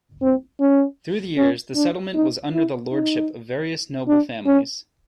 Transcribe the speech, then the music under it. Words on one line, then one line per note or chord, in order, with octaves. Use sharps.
Through the years, the settlement was under the lordship of various noble families.
C4
C#4
C#4
D4
D#4
E4
D#4
D4
C#4